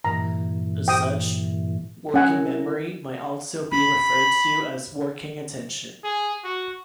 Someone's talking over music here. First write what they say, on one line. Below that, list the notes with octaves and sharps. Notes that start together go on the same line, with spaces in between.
As such, working memory might also be referred to as "working attention".
G2 A#2 E3 A#5
G5 D#6
C#4 F#5 G#5
E4 A#4
B5
G#4
F#4